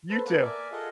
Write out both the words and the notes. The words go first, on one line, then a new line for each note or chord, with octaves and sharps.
You too.
A4 B4 C5
A#3 B3 A4 B4
A#4 D5 E5 G#5
F4 G#4 A4 D#5 F5 F#5